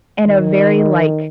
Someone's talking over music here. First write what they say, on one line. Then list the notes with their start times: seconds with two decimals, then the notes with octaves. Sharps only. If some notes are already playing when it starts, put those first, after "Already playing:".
in a very, like,
0.25 D#3